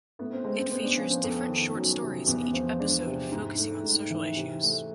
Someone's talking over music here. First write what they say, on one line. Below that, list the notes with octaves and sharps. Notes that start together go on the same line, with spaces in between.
It features different short stories in each episode focusing on social issues.
A2 B3
C4
G#3 C4
C4
B3
D4
F3 C#4
C4
F2 B3
D#3
F#3 C#4
C3
E2 B3
F3 C4
G#3 D4
C3
G#2
A3
G#2
E3
C3
A3